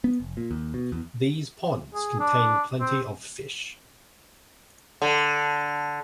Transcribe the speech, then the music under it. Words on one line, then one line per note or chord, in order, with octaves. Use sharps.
These ponds contain plenty of fish.
B3
F1
A#2
D#2
B2
E2
G#4
D4
C4
D3